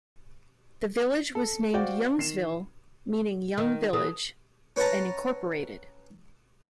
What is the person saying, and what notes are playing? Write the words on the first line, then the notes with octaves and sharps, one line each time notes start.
The village was named "Youngsville," meaning young village, and incorporated.
A4
F#4 C5 D5 F5 G5
D#3 C7 E7
D#3
E3 F#3 A4 D#6
C#4 B4 C#5 F#5 A5 A#5